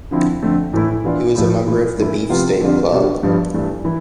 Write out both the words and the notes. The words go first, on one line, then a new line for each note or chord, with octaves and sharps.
He was a member of the Beefsteak Club.
D3 F3 C4 E4
F2 D3 A3 C4
A2 E3 A3 E4
E3 B3 D4 F4
A2 F3 A3 E4
E3 A3 E4
G2 E3 A3 E4
C3 F3 B3 F4
F2 D3 G3 D4 F4
B2 G3 D4
G2 F3 B3
G2 E3 A3 D4
E3 E4